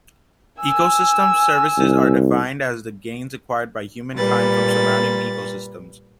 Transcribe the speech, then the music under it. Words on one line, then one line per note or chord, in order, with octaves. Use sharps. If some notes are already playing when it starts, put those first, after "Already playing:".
Ecosystem services are defined as the gains acquired by humankind from surroundings ecosystems.
G#5 E6
C2
A#2 G3 B4 A6